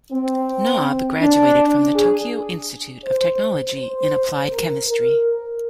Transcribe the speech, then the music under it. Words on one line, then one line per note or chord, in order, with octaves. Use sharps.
Nob graduated from the Tokyo Institute of Technology in applied chemistry.
C4
D4
G#4
C5
C5
A#4
A#4